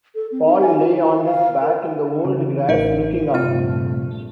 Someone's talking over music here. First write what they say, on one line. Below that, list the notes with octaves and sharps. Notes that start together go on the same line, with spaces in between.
Paul lay on his back in the old grass, looking up.
A4
C4
D#4
G#5
F#4
E4
F5
A#4
C#3 E3
A1 D#4 A#4
A#1 G2 C3 A3 F4 F6